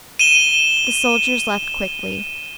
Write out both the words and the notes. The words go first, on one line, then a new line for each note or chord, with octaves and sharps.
The soldiers left quickly.
D#7 E7 G7